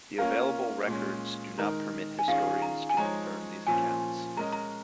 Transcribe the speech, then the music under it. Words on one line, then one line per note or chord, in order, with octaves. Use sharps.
The available records do not permit historians to confirm these accounts.
A#3 C#4 F4 A#4 F5
A#2 G#3 C#4
D#3 G#3 D#4 A#4
G#5
D#3 C#4 F4 G#4 F5
A#5
G#5
F3 G#3 D#4 C#5 A#5
A#2 F3 C#4 G#5
G#3 C#4 A#4 D#5 A#5
A#5